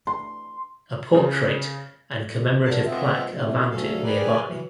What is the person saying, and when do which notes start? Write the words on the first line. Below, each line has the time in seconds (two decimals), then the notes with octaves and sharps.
A portrait and commemorative plaque are mounted nearby.
0.07 C6
1.14 C#3
2.65 B2 D3 A#4 A5
2.86 G#3 B3 C4 F4 D#5 E5
3.33 A2 C3
3.71 D2 F#3 C#4 A4 F5
4.03 G4 G#4 A#4 B4 D5 G#5
4.47 E3 F#3